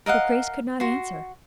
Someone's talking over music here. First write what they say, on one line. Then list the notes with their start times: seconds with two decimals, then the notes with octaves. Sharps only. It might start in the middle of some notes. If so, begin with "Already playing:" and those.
But Grace could not answer.
0.06 A#4 D#5 F5 F#5
0.80 F#4 C6